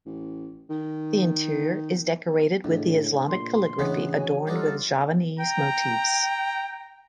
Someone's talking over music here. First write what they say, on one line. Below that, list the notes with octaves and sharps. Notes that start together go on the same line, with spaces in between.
The interior is decorated with the Islamic calligraphy adorned with Javanese motifs.
A1
D#3
C#2 A2 D4
A#2 C6
A1 C#3 E3 G#3 B3 D4 C#5
F#4 C#5 G#5
F#3 G3 D4 D#4 F4 A4
G5 A#5